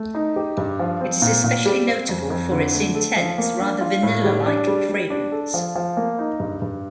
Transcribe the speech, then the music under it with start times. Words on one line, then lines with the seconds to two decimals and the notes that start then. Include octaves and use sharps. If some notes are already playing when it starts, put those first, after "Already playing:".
It is especially notable for its intense, rather vanilla-like fragrance.
Already playing: A3
0.15 D#4
0.36 G4
0.57 G2
0.79 F3
1.01 C4
1.22 A#2
1.44 A#2
1.66 G3
1.87 C4
2.09 F2
2.30 F2
2.52 D3
2.73 A3
2.95 A4
3.16 F3
3.38 A#3
3.60 D4
3.81 F4
4.03 A2
4.24 G3
4.46 D4
4.67 G3
4.89 G3
5.10 D4
5.32 A4
5.54 F3
5.75 F3
5.97 A#3
6.19 D#4
6.40 G2
6.62 G2